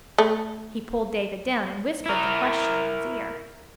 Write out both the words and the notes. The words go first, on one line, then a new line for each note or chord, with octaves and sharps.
He pulled David down and whispered the question in his ear.
A3
E4 A#4